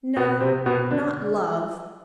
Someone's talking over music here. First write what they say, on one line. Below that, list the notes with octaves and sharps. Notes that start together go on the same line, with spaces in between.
No: not love.
B2 B3
C3 C4
B2 B3
D3 D4